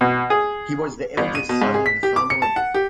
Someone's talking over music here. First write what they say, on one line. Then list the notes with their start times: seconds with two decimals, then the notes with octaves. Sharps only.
He was the eldest son in the family.
0.01 B2
0.30 G#4
1.17 G1
1.35 D#7
1.49 B2
1.62 G#2
1.74 G#4
1.86 B6
2.03 G4
2.16 D6
2.30 C#7
2.42 A5
2.56 F#5
2.74 G4